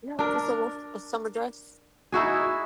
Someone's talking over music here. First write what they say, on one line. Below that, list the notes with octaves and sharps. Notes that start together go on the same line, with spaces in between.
Yeah, just a little a summer dress.
D4 A#4
D#4 E4 F#4 G#4